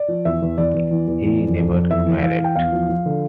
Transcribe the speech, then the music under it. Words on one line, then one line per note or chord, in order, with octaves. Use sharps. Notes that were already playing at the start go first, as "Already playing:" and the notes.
He never married.
Already playing: D5
F3
E2 E5
E2
E2 D5
E2
E3
E2
E3
F2
F2
F2
E2 E5
E3
E3 F5
E3 G5
E2 F5
F3
F3
D3